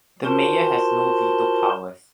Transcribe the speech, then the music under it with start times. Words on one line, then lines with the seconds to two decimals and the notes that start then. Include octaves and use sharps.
The mayor has no veto powers.
0.25 F4 F#4 A#4 C5 A5 C6